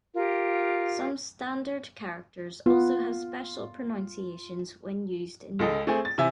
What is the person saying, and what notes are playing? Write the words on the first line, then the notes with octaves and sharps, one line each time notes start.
Some standard characters also have special pronunciations when used in names.
F4 G4 A#4
B3 F4
C#2 G#3 A4 D#5
A3 C4 G#4
A6
C3 E3 E5 G#5